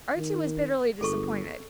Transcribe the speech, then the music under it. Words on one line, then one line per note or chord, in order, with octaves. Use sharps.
Archie was bitterly disappointed.
D#3
G1 G#4 A4 C#6